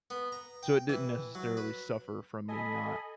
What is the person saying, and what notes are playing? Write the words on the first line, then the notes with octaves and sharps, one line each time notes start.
So, it didn’t necessarily suffer from me not
B3
A#5
G5
E3
F#3
B4
A4 D#5 G#5 B5